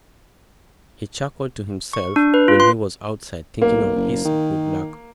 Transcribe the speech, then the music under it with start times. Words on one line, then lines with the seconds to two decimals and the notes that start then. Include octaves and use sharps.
He chuckled to himself when he was outside, thinking of his good luck.
1.93 C#6
2.16 D4
2.34 B4
2.48 F4
2.60 C6
3.62 B1 A#3
3.95 F#1
4.25 D#3